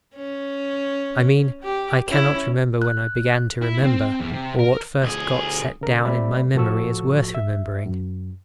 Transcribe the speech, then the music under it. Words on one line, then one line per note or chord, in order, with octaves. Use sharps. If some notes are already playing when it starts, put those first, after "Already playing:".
I mean, I cannot remember when I began to remember, or what first got set down in my memory as worth remembering.
C#4
G4
C#4 E4
F#6
E4
C4
E2
C3
A#4
D2 G#4
C#3 A#4
G3 A3 C4 D5 E5 B5
A2 F3 F#4 A4 C#6 E6
E5
F#2